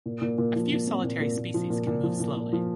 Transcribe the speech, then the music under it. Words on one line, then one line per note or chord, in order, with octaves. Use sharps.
A few solitary species can move slowly.
A#2
A#2
A#2
F3
A#2
C4
A#2
A#2
A#2
F3
A#2
A#2
F3
A#2
A#2
F3